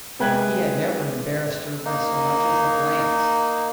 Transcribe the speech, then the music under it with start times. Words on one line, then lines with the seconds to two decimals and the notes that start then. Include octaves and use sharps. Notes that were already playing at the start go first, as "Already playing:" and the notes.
He had never embarrassed her by so much as a glance.
0.19 C3 G#3 B4 G5 F#6 G#6
1.85 A#3 D#4